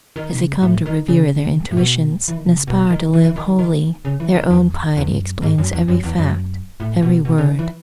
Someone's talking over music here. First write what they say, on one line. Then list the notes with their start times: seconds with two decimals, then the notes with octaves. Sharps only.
As they come to revere their intuitions and aspire to live holily, their own piety explains every fact, every word.
0.16 D#3
0.33 B2
0.39 C#3
0.62 A2
0.86 D#3
1.08 C#3
1.71 A2
1.77 B2
2.28 E3
2.37 D#3
2.45 B2
2.53 C#3
2.67 B2
2.90 D#3
3.13 E3
3.25 E3
3.36 D#3
3.59 D#3
4.05 C#3
4.20 E3
4.35 D#3
4.50 E2
4.97 E2
5.10 G#2
5.19 F#2
5.42 G#2
5.58 F#2
5.73 E2
5.88 F#2
6.03 E2
6.18 F#2
6.80 A2
7.02 B2
7.25 B2
7.38 C#3
7.47 D#3
7.59 E3